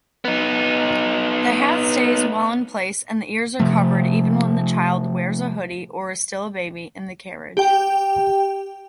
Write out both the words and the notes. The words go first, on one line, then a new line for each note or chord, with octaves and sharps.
The hat stays well in place, and the ears are covered even when the child wears a hoodie or is still a baby in the carriage.
B3 D#4
C3 F3 A3
G4 G5